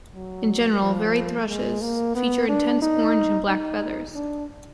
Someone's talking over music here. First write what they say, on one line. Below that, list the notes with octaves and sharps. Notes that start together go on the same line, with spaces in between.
In general, varied thrushes feature intense orange and black feathers.
F#3
F3
G#3
A#3
B3
D4
D#4
D#4
D4